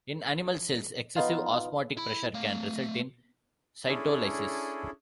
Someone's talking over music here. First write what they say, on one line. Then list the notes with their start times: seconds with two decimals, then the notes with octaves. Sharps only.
In animal cells excessive osmotic pressure can result in cytolysis.
1.16 B3 D#4 F4
1.97 E4 B5
2.34 A3 F5
3.87 C#4 D4 E4 G#4 A4